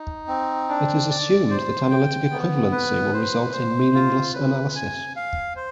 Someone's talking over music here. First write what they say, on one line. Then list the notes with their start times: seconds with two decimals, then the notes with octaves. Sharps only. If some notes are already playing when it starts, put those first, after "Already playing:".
It is assumed that analytic equivalency will result in meaningless analysis.
Already playing: D#4
0.28 C4
0.69 D4
1.10 D5
1.50 C5
1.90 G5
2.31 B3
2.72 B4
3.13 C5
3.52 C5
3.94 F4
4.34 B4
4.75 G#5
5.16 F5
5.56 C5